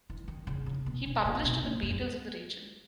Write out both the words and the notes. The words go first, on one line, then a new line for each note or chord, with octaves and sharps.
He published on the beetles of the region.
E3
D#3
C#3
C#3
B2
B2
A#2
B2
A#2
F#2